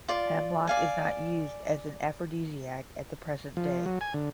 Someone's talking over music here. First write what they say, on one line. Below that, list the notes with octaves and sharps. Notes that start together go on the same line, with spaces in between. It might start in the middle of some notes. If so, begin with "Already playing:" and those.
Hemlock is not used as an anaphrodisiac at the present day.
F4 D5
D5 F5 G#5
F3
F#3
G#5
D3